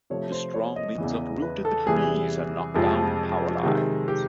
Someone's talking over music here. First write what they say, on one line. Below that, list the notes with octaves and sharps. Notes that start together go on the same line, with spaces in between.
The strong winds uprooted trees and knocked down powerlines.
C3 F3 A3 C#5
C5
C#5
D#5
E2 C#3 E3
B4
A4
E2 C3 E3 G3 G#4
F2 C3 F3 G#3
C3 D#3 G#3
G4